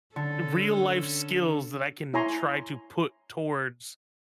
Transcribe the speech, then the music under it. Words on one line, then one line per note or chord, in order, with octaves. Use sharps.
real life skills that I can try to put towards
D3 C#4 A4
E4 C#5 G#5 A#5 C6 C#6